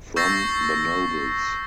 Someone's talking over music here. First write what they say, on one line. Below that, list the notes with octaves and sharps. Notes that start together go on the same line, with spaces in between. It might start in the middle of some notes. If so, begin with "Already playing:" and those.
From the nobles.
C#6 E6 G6 A6 A#6 C7